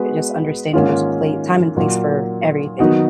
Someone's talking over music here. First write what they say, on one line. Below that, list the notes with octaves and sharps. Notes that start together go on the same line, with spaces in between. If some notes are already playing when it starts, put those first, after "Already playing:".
just understanding there's a pla time and place for everything
Already playing: G#3 B3 F#4 B4
G#2 D#3 A#3 C#4 F4
A#2 F#3 A#3
D#3 F#3 B3 D#4 F#4